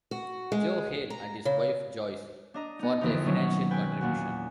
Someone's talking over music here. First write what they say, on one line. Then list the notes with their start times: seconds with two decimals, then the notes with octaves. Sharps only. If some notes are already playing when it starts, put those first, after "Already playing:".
"Joe" Hale and his wife Joyce for their financial contribution.
0.11 F#4
0.52 G#3
1.10 A#5
1.45 C#3
2.54 D4 D#5 A#5
2.79 B3 D#4
3.01 F2 D3 E3 A#3 C4 D#4
3.26 B2 D#3 F#3 C#4
3.71 B4 G5 G#5
4.01 E2 A#2 F#4